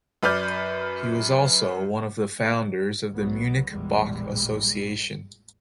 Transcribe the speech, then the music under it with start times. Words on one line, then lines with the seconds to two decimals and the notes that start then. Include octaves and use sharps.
He was also one of the founders of the Munich Bach Association.
0.23 F#2 B4 D5 F6 G6
3.12 B1 F#3 B3
3.70 A1 E2 A#2 G3 G#3